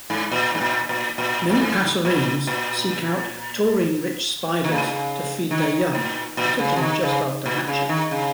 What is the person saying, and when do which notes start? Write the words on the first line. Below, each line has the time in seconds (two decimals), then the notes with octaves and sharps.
Many passerines seek out taurine-rich spiders to feed their young, particularly just after hatching.
0.10 G#2
0.32 A#2
0.55 G#2
0.61 A#2
0.89 A#2
1.18 A#2
1.49 A#2
1.61 G#2
2.05 A#2
2.47 A#2
4.64 D#3
4.72 C#3
4.80 A#2
4.88 C#3
5.51 D#3
5.95 A#2
6.37 A#2
6.59 C#3
6.76 F3
6.81 D#3
7.03 C#3
7.46 A#2
7.67 C#3
7.89 D#3
8.11 C#3